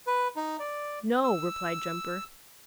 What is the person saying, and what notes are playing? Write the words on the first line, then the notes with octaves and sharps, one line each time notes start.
"No," replied Jumper.
B4
D#4
D5
E6